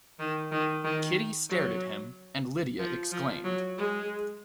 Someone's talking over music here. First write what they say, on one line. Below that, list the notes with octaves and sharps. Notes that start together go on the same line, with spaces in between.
Kitty stared at him, and Lydia exclaimed.
D#3
D#3
D#3
F#3
F3
F3
F#3
G#3